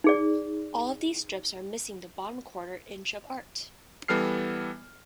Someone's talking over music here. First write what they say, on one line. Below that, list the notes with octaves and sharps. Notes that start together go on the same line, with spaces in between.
All of these strips are missing the bottom quarter inch of art.
D#4 G#4 D5
E3 G3 B3 A4 F6 C7